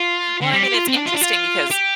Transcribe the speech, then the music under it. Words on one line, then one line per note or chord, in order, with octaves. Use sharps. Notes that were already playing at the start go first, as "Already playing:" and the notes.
Well, I mean, it's interesting because,
Already playing: F4
D3
G3
G4
F4
C4
D4
F4
D4
F4
G4